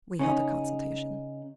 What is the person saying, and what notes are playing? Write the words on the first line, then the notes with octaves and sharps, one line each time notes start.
We held a consultation.
C#3 C#4 D#4